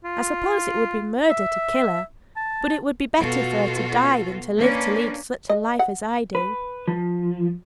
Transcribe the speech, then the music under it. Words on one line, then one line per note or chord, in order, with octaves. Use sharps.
I suppose it would be murder to kill her, but it would be better for her to die than to live to lead such a life as I do.
F4
E5
A5
B2 F4 F#4 A4
A#3 C#4 D4 B4
D#5
F#5
B4
F3